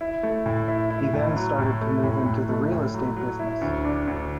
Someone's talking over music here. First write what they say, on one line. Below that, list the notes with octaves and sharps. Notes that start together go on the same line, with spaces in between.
He then started to move into the real estate business.
E4
A3
A2
E4
E4
A2
F#3
A2
A3
A2
A2
A3
A2
F#3
F#3
E4
D2
D4
D2